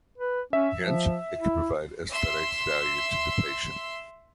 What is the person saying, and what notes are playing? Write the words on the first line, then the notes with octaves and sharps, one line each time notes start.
Hence, it can provide aesthetics value to the patient.
B4
C#4 E5
F3
E4
E5 C6 E6